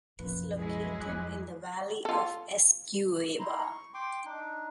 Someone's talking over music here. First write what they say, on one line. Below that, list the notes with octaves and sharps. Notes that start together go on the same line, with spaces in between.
It is located in the valley of Esgueva.
C2 F#2 A#2 F3 B4
F#3 G#3 E4 G#4
F2 F3 D6 F#6
F4 A4
D#4 E4 A#5 C6
C#6
G5 C6 D6
D4 D#4